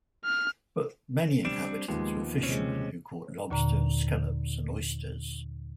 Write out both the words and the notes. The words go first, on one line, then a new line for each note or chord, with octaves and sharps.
But many inhabitants were fishermen who caught lobsters, scallops and oysters.
F6
G3 C4 D4 E7
D#2 F3 G#3 B3
C3 G#3 C4 C#4
D#2 A#2 D3 A#5